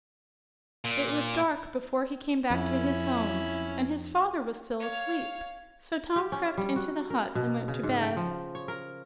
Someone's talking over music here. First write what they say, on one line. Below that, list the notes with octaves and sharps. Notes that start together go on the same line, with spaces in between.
It was dark before he came back to his home, and his father was still asleep; so Tom crept into the hut and went to bed.
A#2
F2 C#4 E4
C#5 F5
G4
C#4
G3
F#4
A#4
B2
C#3
G#2
G5
F3
C#5
A#4